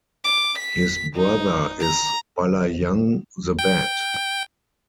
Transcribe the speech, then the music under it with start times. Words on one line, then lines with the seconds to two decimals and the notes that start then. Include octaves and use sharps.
His brother is Balayang the bat.
0.24 D6
0.59 B6
1.16 D#4
1.80 A#5
3.59 G5